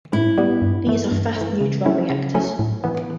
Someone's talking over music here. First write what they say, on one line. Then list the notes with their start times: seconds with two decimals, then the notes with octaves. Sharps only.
These are fast-neutron reactors.
0.13 A2 E4
0.38 G3 B3
0.62 G2
0.87 E3 A3
1.11 G2
1.36 E3 A3
1.61 C#3
1.85 F#3 A3 C#4 E4
2.10 C#3
2.34 F#3 A3 C#4 E4
2.59 A2
2.84 E3 B3